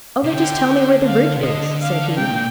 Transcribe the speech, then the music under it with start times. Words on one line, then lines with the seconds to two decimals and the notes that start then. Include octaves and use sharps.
"Only just tell me where the bridge is," said he.
0.23 C3
0.33 D3 G5
1.07 F5
1.36 C3
1.43 D3 D#5
1.81 F5
2.17 C3 G5
2.31 A#2